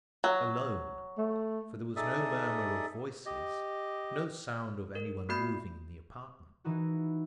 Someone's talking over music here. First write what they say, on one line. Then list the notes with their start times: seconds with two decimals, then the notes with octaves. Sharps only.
Alone; for there was no murmur of voices, no sound of any one moving in the apartment.
0.24 F#3
1.18 A3
1.96 D#4 G#4 A4 D5 E5 D#6
3.26 G4 D#5
4.95 A#4
5.29 A3 B3 F#4 B5 G6 C7
6.64 E3 D#4 E4 F#4